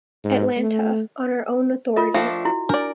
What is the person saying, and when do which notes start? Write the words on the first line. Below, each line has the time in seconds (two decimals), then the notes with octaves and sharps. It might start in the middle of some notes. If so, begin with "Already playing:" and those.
Atlanta: On Our Own Authority!
0.25 G#2
0.57 A3
1.96 F4 A#4 D#5
2.14 F3 A3 D4 E5 G5
2.45 E4 F#4
2.69 D4 A#4 D5